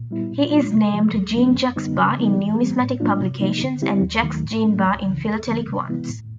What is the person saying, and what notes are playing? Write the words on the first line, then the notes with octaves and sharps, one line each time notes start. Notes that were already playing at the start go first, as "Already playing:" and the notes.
He is named "Jean-Jacques Barre" in numismatic publications and "Jacques-Jean Barre" in philatelic ones.
Already playing: A#2
G3 B3 E4
A#2
F#3 A#3 D4 F4
C3
F3 A3
D2
C3 F3 A3 C#4
F#2
D3 G3 B3 D#4
C#3
F3 G#3 B3 D#4
E3
G3 C4
A2
F#3 A#3 D4 F4
C3
F3 A#3 D#4
D3
G3 C4 E4 G4
D#2
D#3 F#3 A3
A2
F#3 A3 C#4
C#2
C#3 E3
D#2
D3 F3 G#3
C3
E3 G#3 B3 E4
A2